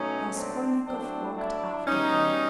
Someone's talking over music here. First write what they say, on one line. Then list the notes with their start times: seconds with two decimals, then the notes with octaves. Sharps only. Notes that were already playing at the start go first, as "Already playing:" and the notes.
Raskolnikov walked after him.
Already playing: B2 F#3 A3 C#4 D#4
0.34 C4 D4
0.85 A2 F#3 A3 C4 D4
1.36 D4 E4
1.86 B2 G3 C#4 D#4